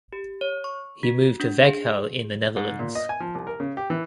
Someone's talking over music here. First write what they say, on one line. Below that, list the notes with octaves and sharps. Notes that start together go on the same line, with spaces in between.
He moved to Veghel in the Netherlands.
G4
C#5
C#6
F#4
D4
G#4
G#2
A#2
D#5
G#5
F3
C2
A#4
C#3
G4
E3